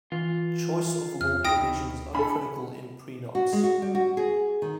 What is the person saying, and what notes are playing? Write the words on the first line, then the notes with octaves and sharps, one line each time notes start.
Choice of law provisions are critical in prenups.
E3 F4
F2 F6
D2 B2 D#3 E3 G5 D#6 A#6
D4 A4 G#5 B5
F#4
G#3
F#4
G3
F#4
G#4
D#3